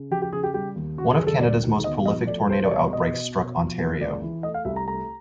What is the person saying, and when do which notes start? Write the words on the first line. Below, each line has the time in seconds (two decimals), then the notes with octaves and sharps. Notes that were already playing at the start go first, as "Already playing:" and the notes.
One of Canada's most prolific tornado outbreaks struck Ontario.
Already playing: C#3
0.11 F3 G4
0.22 G4
0.33 C#3 G#4
0.43 G4
0.54 G3 G4
0.76 D#2
0.97 C#3 F#4
1.13 G#4
1.19 F#2
1.27 A4
1.41 D2 D5
1.63 D#3
1.84 B3 D#5
2.06 F3 D#5
2.27 A3 D5
2.49 C2 C5
2.65 D5
2.71 B2 C#5
2.92 B2 D#5
3.13 B2
3.36 B2
3.57 F3
3.78 A#3
4.01 C#2 D5
4.22 E3
4.43 A3 D#5
4.54 F5
4.65 C2 E5
4.76 A#5
4.87 A3 A#5